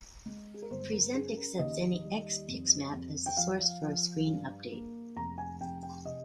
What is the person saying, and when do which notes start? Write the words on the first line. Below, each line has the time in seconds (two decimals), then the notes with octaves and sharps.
Present accepts any X pixmap as the source for a screen update.
0.26 G#3
0.54 G#4
0.62 A#4
0.71 G1 C5
0.93 A#4
1.15 C#4 G#4
1.37 A#4
1.59 D#2 D#5
2.05 G3
2.48 F2
2.93 F2
3.26 G5
3.37 F3 F5
3.82 F3
4.27 G2
4.72 A#3
5.16 F1 A#5
5.38 G#5
5.60 F1 G5
5.83 G5
6.05 C3 D#5